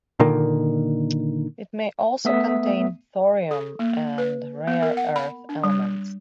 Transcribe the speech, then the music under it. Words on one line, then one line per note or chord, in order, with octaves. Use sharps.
It may also contain thorium, and rare earth elements.
A#2 D3 D#3 A#3
A3 B3 E5 D#6 B6
A4
A#3
B4
B3
A#4
F#5
B5
D4
G3